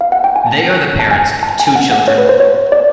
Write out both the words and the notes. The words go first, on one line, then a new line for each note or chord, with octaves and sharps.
They are the parents of two children.
F5
F#5
G5
G#5
A5
A5
G#5
A5
G#5
F#5
F#5
C#5
B4
C5
C#5
D5